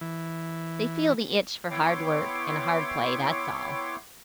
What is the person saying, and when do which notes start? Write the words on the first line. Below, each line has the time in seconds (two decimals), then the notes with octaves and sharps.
They feel the itch for hard work and hard play, that's all.
0.01 E3
1.71 B3 E4 C#5 G5 C6 D6